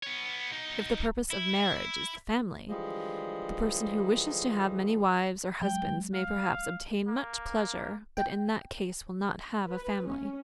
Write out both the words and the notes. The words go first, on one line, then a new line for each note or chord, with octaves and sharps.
If the purpose of marriage is the family, the person who wishes to have many wives or husbands may perhaps obtain much pleasure, but in that case will not have a family.
B3 C#5
B2 D#4
E4
D3 E3 F3 G3 G#3
F#3 G#3 G5
F5
A#3
G5
B4
C#4